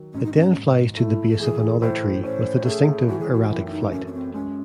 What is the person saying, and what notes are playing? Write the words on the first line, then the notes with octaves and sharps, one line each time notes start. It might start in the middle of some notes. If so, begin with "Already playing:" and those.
It then flies to the base of another tree with a distinctive erratic flight.
Already playing: D#3 F#3
G#2 C#4
D#4
C#4
G#2
A3 E4
A4
E3 G#4
A2 C5
C#4 C5
A3 G#4
E3 F#4
G#4
F#4
F#2 E4
E4
D#4
F#2 C#4
C#4
C4
G#3 C#4